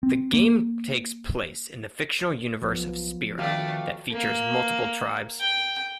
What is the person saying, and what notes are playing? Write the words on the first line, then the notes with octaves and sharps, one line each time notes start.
The game takes place in the fictional universe of Spira that features multiple tribes.
C4
A#3
B1 F3 B3
D#3 A3 D4 F#4 G4 B4 F5 A5
A#3
G5